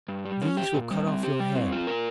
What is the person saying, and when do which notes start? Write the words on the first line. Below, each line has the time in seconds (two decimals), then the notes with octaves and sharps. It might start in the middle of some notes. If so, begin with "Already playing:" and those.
These will cut off your head.
0.08 G2
0.25 G3
0.42 C#4
0.57 G4
0.74 A#2
0.91 G3
1.07 C4
1.23 G4
1.40 G3
1.55 C4
1.72 F4
1.87 A#4